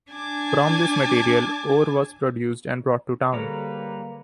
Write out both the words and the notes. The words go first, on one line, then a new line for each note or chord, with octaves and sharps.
From this material, ore was produced and brought to town.
D4 G#5 A5 D6
D3 G3 A#3 G#4 A4 B4 C#5 A#5